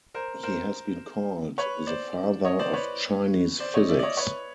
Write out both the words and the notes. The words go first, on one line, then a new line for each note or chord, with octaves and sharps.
He has been called the Father of Chinese Physics.
A#4 C5
A#4 C5
B4 C#5
C5 D5
C#5 D#5
C5 D5
B4 C#5
C5 D5
C#5 D#5
D5 E5
D5
C#5 D#5
B4 C#5